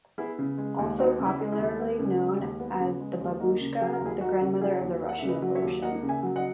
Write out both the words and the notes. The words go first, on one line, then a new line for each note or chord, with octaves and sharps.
Also popularly known as known as Babushka, the grandmother of the Russian Revolution.
B3 E4 G#4
C#3
G#3
D#2
B3 D#4 F#4
C#3
E4
G#3
E4
D#2
B3
C#3
G#3
D#2
B3
C#3
G#3
D#2
A#3 D#4 F#4
C#3
F#3 G#4
A#4
D#2 E4 G#4
A#3 D#4 F#4
C#3
F#3 E4 G#4
D#2
A#3
F#5
C#3 E5
B4 D#5
F#3
C#5 E5
D#2
A#3 D#5 F#5
C#3
E5 G#5
F#3
D#5 F#5